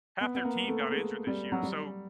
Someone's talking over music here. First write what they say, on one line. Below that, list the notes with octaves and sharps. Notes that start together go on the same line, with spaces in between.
half their team got injured this year, so
B3
B3
A#3
A3
G#3
G3
F#3
G3